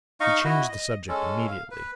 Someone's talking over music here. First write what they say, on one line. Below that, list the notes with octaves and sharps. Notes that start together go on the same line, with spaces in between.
She changed the subject immediately.
D#4 D#5 F5 C#6
E4 F#4 D#5
D#5
G#3 C#4 A4
F5
B4